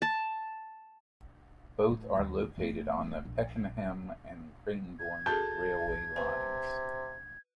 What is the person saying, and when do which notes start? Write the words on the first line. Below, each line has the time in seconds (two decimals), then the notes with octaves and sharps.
Both are located on the Pakenham and Cranbourne railway lines.
0.02 A5
1.91 A2
2.17 D#2
2.58 F#1 A3
3.25 A#1
4.99 G#6
5.26 F#4 G#4 A4 A5 G6
6.16 C3 B4 G#5